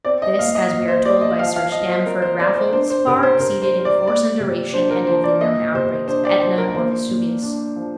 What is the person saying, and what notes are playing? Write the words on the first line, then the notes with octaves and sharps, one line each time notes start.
This, as we are told by Sir Stamford Raffles, far exceeded in force and duration any of the known outbreaks of Etna or Vesuvius.
C4 D5
D#5
A#2 F5
D#5
A#2
C5
G3 D5
D#5
F3 F5
F5
F3 D#5
C5
C4 A#4
C5
C4 D5
C5
D4 C5
C5
C3 A#4
C5
C3 A#4
C5
G3
D5
A#3 D5
C3
D4 C5
A#4
F3 C5
D5
A#3 D#5
C3 C5
D4 C5
D5
F3 C5
A#4
A#3 C5
A#2
D4
F3